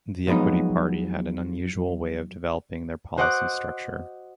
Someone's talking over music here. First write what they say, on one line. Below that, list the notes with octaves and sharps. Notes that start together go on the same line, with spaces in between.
The Equity Party had an unusual way of developing their policy structure.
F3 F#3 G#3 B3 D#4
F#4 C5 D#5 F#5 D6 F#6